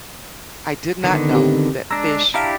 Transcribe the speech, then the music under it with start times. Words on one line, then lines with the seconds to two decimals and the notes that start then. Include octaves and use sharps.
I did not know that fish
1.04 D3 D#3 B3
1.31 C4 G4
1.91 G#3 D4 A#5 E6 A#6
2.34 D4 E4 G4 F5 A5 A#5